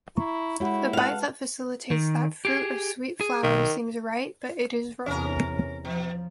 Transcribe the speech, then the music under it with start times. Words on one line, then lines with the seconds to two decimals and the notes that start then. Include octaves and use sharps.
The bite that facilitates that fruit of sweet flour seems right, but it is wrong.
0.17 E4 A#5 C#6
0.60 G#3 E4 F#4 G4 C#5 F#5 B5
0.93 B4 F5 F#5 A5
1.91 D#3
2.45 G4 G#4
3.21 G#4
3.43 B1 D#3
5.06 E2 C3 C#4 A#4
5.85 B2 F3